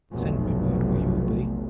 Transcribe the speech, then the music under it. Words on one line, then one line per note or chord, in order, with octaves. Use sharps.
Send me word where you will be.
F1 B1